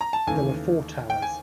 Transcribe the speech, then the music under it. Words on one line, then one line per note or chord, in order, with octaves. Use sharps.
There are four towers.
A#5
A5
D#2 C#3 E3 A3 G#5
G5
G#5